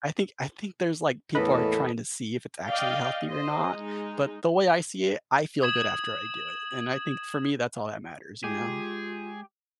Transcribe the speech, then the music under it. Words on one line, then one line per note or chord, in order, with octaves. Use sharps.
I think I think there's, like people are trying to see if it's actually healthy or not, but the way I see it, I feel good after I do it, and I think, for me, that's all that matters, you know?
E2 A2 A#3 A4 B4 D#5 B5
D5 D#5 F5 G5
C5 D#5
G#3 D#4
D#6 G#6 E7 F#7
G#3 F4 G4 G#4